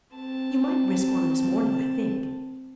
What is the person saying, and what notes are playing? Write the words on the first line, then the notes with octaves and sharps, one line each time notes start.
You might risk one this morning, I think.
C4 A5